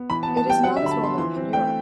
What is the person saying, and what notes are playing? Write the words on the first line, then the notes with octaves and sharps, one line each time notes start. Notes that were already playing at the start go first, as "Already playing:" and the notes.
It is not as well known in Europe.
Already playing: B3
E3 B5
A5
B3
A5
G3 G5
F#3 F#5
E5
D3 B5
A5
B3 C6
E3 C6
C4
A3 G5